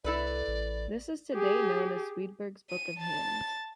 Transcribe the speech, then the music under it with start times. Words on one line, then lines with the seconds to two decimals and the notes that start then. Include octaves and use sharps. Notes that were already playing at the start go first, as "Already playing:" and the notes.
This is today known as Swedberg's Book of Hymns.
0.04 C2 E4 A4 B4 D5
0.48 A1
1.35 G4 G#4
2.70 D#7
2.99 A5 A6